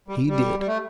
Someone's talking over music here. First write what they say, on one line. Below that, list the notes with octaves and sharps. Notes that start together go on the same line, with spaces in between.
He did.
G3
G3
G3
A3